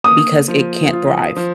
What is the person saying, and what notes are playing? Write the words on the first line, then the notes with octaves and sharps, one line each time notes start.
because it can't thrive.
A#3 D#6
F3
F4
F3